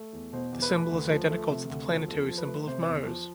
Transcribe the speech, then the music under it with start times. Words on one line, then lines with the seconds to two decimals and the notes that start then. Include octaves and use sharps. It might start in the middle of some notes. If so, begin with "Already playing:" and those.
The symbol is identical to the planetary symbol of Mars.
Already playing: A3
0.13 E2
0.33 B2 C5
0.53 E2
0.62 B4
0.70 A3 A4
0.78 B4
0.91 D2
1.11 F3
1.30 A3
1.50 C3
1.70 D2
1.89 F3
2.08 E2 A4
2.28 F3
2.38 B4
2.47 A3
2.67 C3 C5
2.87 E2
3.06 F3